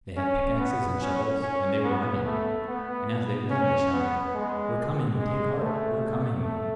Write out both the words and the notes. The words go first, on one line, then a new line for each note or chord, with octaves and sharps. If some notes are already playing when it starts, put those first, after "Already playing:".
They had pickaxes and shovels, and they were running. And as they ran they shouted, "We're coming; take heart, we're coming!"
C#4
B3
C#4
C#4
B3
A3
B3
C#4
B3
G#3
G#3
A3
A3